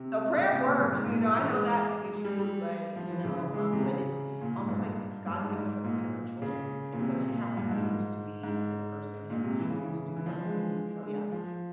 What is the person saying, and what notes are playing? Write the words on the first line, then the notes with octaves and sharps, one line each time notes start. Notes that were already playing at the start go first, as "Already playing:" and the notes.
So prayer works, you know, I know that to be true, but you know, um, but it's almost like God's given us a freedom of choice, and so he has to choose to be a good person, he has to choose to do the right thing, so, yeah.
Already playing: C3
C#3
C3
A#2
G2
G#2
A#2
E3
A#3
G#3
G#3
G3
G3
F3
E3
C#3
E3
G#3
C3
C#3
A#2
G#2
G2
G2
G#2
G#2
A#2
C#3
A#2
C3
A#2
A#2
G2
G#2
G#2
A#2
C3
E3
C#3
E3
E3
F3
E3
G#3
G#3
F3